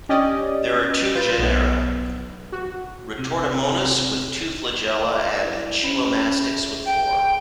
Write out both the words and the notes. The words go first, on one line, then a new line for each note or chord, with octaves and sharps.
There are two genera: "Retortamonas" with two flagella, and "Chilomastix" with four.
C#4 G4 D5 D#5
F4 B4 G6 A6
B1 B3
F#4
C3
E4 D5
C#4 C5 B5
G#4 E5
G5